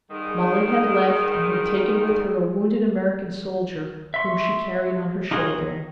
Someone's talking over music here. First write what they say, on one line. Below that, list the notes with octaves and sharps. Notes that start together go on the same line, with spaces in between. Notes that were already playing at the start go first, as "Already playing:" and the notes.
Molly had left and had taken with her a wounded American soldier whom she carried on her shoulder.
G#2 D#3 G3 G#4
E5 C6 C#6
D#4 F4 F#4 G#4 D#5
D#3